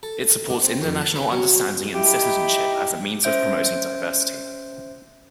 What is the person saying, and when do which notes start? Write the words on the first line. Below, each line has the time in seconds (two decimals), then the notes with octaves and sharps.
It supports international understanding and citizenship as a means of promoting diversity.
0.03 A4
0.50 D4
0.62 C4
0.82 F2
1.01 A5
1.16 B4
1.32 F#3
1.94 D#4 E4 G4
3.23 C#4 C5 E5 G6 D7